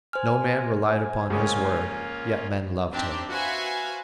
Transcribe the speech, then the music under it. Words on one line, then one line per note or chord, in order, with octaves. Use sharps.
No man relied upon his word, yet men loved him.
C5 G#5 F6
C#2 C#3 A#3 C#4 F4
C4 D4 D#4 G4 E5
F#4 B4 C5 E5 F5 G#5